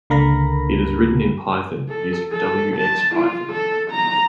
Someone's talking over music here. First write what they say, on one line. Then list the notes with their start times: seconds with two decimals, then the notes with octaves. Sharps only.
It is written in Python using wxPython.
0.10 C#2 D3 A#3 A#4 B5 A#6
1.89 A4
2.32 A4
2.77 A5
3.15 F4
3.52 A4
3.91 A#5